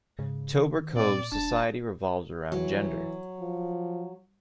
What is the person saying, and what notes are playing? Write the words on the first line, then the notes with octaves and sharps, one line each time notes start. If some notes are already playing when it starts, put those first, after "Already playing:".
Tober Cove's society revolves around gender.
G#2 C#3
D#3
A#2 C4 D5
E1 D4 A5
E3 F#3
F3